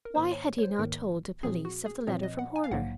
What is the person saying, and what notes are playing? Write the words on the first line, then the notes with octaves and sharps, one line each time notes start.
Why had he not told the police of the letter from Horner?
A#4
G#2 D#3 A#3 C5
C#5
C#5
C5
G#2 D#3 A#3 A#4
A#2 F3 C4 G#4
F#4
G#4
A#2 F3 C4 C#5
D#5
F#5
G#5
F5
A#1 G#2 F#3 A#3 F#5